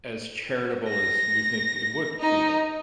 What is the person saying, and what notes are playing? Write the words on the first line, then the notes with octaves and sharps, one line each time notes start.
as charitable as you think it would feel,
A#6
D#4